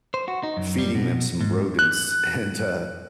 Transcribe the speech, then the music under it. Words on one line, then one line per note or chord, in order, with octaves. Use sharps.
feeding them some rodents, and, uh
C5
F#4
D#4
F#2
G3
B2
G#2
F#6